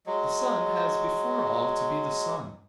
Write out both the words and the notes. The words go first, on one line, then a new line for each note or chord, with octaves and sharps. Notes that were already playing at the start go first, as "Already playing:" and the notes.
The sun has before all to be the sun.
F#3 G#3